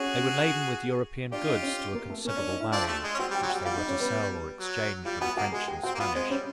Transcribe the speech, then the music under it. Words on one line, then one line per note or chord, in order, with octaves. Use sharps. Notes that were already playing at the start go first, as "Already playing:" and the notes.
They were laden with European goods to a considerable value, which they were to sell or exchange with the French and Spanish.
Already playing: C#4 F#4 G#4 C#5
D4 F4 G4 D5
D#4 D#5
C#4 C#5
A#3 A#4
A3 A4
A#3 C#4 A#4
D4 D5
D#4 D#5
E4 E5
C4 D4 F4 F5
A3
G#3
C#4
C4 F#4 F#5
G3
G4 G5
F#3
F#4 F#5
G3
G3 F4 F5
D#4 D#5
C#4 C#5
B3 B4
F#3
G3 F4 F5
B3 F#4 F#5
A#3 F#4 F#5
G#3 G#4 G#5
G4 G5
C4 F#4 F#5
A#3
B3 F4 F5
G#3 C4 C5
G3 C#4 C#5